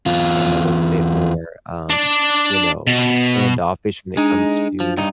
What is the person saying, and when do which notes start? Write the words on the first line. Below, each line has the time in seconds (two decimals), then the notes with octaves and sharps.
and a little bit more, um, you know, standoffish when it comes to,
0.06 E2 F4
1.90 D4 D5
2.87 B2
4.17 G#3 D4 D#4
4.80 F3
4.98 G2 D#4